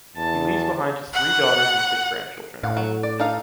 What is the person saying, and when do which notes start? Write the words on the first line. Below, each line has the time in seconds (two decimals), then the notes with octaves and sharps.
He leaves behind his three daughters and six grandchildren.
0.16 E2 A5
1.14 F#5
2.63 A2 F5 F#5
2.77 F#3
3.03 D5
3.20 D#4 A4 F5